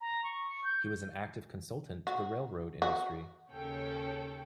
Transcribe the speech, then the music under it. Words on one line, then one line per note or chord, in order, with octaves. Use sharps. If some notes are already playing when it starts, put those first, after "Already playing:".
He was an active consultant to the railroad industry.
A#5
C#6
G6
F#4
F#4
D#2 C#3 C#4 A4 C#5 G5